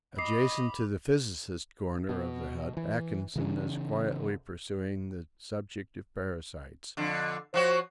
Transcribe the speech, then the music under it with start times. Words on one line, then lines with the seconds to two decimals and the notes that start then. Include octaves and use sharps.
Adjacent to the physicist's corner of the hut Atkinson is quietly pursuing the subject of parasites.
0.19 D#5 B5 D6 C7
2.09 B2
2.77 E3
3.36 C#3 E3 C#4
6.97 F2 D3
7.54 F3 F#4 C5 C#5